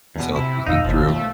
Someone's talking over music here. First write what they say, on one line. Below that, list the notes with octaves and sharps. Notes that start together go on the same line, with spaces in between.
it's all thinking through,
E2 B2
C3 E4
B1 F2 D#4 F5 E6
F#1 D#2 G#2 F3
A3